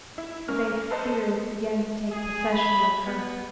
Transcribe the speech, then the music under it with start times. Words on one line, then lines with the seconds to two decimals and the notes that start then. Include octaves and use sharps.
Vague fears began to take possession of her.
0.18 E4
0.48 A#3 C#4 F6
0.91 A4 B4 C5 D#5 A5
2.11 G#4
2.53 B5
3.05 B3